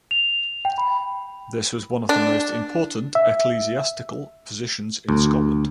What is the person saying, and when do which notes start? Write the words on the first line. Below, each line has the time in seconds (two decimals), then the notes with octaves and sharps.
This was one of the most important ecclesiastical positions in Scotland.
0.11 F7
0.65 G5
0.78 B5
2.09 D4
3.15 E5
5.09 D2